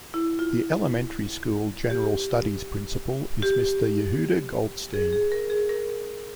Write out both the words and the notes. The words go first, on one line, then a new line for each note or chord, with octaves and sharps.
The elementary school general studies principal is Mr. Yehuda Goldstein.
E4
F4
G4
G4
G#4
G#4
A#4
G#4
A#4